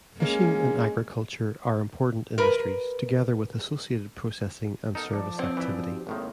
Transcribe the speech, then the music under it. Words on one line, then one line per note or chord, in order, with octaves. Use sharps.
Fishing and agriculture are important industries, together with associated processing and service activity.
G#3 A#3 C#4
A#4 B4
B3 D#4 A4 A#4
F3 D5 A5 D6
C4 C#5
E3 E4 D5
D#4 F#4 G4
G#1 A2 D#3 A#3 C#5 C6